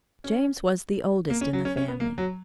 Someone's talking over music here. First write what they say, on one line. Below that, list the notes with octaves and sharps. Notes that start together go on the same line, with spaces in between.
James was the oldest in the family.
C#4
A#3
C#4
F#3
C#4
C#4
B3
A#3
F#3